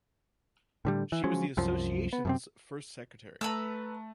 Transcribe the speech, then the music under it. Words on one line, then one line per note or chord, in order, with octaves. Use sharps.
She was the Associations's first Secretary.
A2 D3 G3
E3
F3 F#3 G#3 C#4
C2 F#2 F3
B3
F#2 C3 C4
A3 B4 A5 A#5 E6